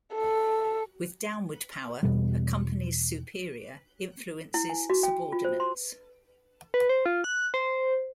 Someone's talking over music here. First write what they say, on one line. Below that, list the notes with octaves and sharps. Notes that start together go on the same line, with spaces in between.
With downward power, a company's superior influences subordinates.
A4
E2 B2 G3
E4
G#5
F#4
G5
F4
C5
C6
B4
C5
F4
F#6
C5